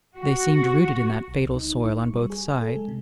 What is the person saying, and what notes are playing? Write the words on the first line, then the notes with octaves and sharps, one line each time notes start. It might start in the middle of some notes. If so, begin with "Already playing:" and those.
They seemed rooted in that fatal soil on both sides.
F#4
B1
C#2
D#4
B1
E4
C#6
G3
G#4
G#5
A4
G#3
C3